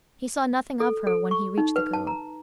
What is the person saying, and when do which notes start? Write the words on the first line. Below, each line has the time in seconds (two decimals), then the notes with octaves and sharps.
He saw nothing of her when he reached the Cove.
0.80 A4
1.07 A4
1.31 C#6
1.58 D#4
1.76 B4
1.93 A5
2.07 A#5